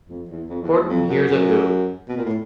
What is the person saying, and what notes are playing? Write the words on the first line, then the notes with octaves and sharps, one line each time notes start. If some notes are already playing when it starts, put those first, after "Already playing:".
Horton Hears a Who!
F2
E2
F2
E2
E2
F2
F#2
F#2
B2
A#2
A2